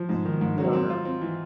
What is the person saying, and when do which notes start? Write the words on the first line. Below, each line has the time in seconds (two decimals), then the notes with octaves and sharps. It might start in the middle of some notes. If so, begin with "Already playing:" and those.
Mhm, no no.
Already playing: F3
0.09 G#2
0.25 D#3
0.41 G#2
0.58 F#3
0.73 C4
0.90 F4
1.05 C4
1.21 E3